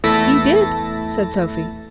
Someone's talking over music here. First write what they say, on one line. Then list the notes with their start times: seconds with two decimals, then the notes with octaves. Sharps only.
"He did," said Sophy.
0.04 E2 A3 E4 A4 A6 A#6